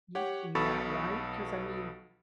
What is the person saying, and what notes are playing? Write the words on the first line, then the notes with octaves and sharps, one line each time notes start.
Y yeah, right? 'Cause, I mean
G4 C#5 F#5
B1 B2 A4 B5 C#6 A6